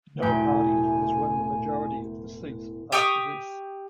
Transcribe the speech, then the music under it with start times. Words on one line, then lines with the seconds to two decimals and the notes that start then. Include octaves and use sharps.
No party has won the majority of the seats after this.
0.22 E1 A2 A3 G5 G#5
2.92 G4 G5 C#6 D#6